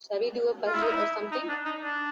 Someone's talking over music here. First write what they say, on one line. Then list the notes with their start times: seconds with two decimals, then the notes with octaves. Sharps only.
Shall we do a puzzle or something?
0.67 F4
0.74 E4
0.82 D#4
0.89 E4
1.32 D#4
1.49 D4
1.65 D#4
1.82 D4